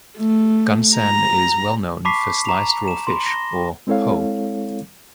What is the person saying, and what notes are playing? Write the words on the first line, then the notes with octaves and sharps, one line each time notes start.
Gunsan is well known for sliced raw fish, or "hoe".
A3
A#5
A5 B5 C#6 D6 B6 C7
A#5 F7
E7
B5 C6
A#6 G7
G#3 C4 E4 A4 C#5 F5